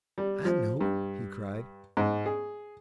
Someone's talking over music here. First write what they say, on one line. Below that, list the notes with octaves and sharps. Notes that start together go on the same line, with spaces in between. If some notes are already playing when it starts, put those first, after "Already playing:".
"I know," he cried.
G3
F3
G2
G#2
G#4